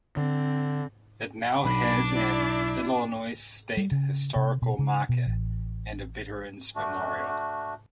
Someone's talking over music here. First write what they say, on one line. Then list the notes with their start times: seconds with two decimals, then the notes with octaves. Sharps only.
It now has an Illinois State Historical Marker and a Veteran's Memorial.
0.17 D3 C4
1.65 B1 D4 D5 B5
2.13 E4
3.77 G3
3.91 C#3
4.36 C3
4.62 B2
4.79 C#3
5.09 B2
5.27 A1
6.75 A3 D4 F#4